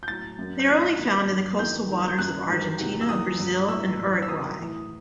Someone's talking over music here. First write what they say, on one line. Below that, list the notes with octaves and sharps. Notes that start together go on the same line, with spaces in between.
They are only found in the coastal waters of Argentina, Brazil, and Uruguay.
G6
A2 F#3 A6
F#2 F#3
G6
A2 E3 F#6
B6
F#2 D#3 F#3
G2 F#3
E2 D#3 F#3 G6
E2 D#3 F#3
G6
F#2 F#3 F#6
G2 D#3 F#3
E2 C3 D#3 F#3
E6
E2 D#3 F#3 D#6
G2 F#3
A2 F#3 E6
G2 E3
E6
E2 D#3 F#3 D#6
A2 E3